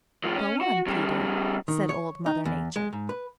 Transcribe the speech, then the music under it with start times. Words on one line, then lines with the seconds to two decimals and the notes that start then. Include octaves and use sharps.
"Go on, Peter," said Old Mother Nature.
0.24 A2 F3
0.36 C#4
0.61 F#4
0.87 C#3 G3
1.68 D#3
1.89 C#5
2.26 D#4
2.45 E2
2.76 G#3
2.93 G#2
3.09 B4